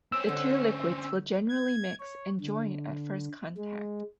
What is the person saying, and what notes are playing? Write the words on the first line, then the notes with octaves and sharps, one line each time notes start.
The two liquids will generally mix and join at first contact.
C4 C#4 E6
D3
G#6
C#5
D3
G#3